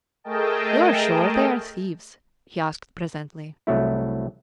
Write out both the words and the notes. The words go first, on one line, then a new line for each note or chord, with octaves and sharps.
"You are sure they are thieves?" he asked presently.
A3 G#4 A#4 D#5 G5 A5
C2 F#3 A3 E4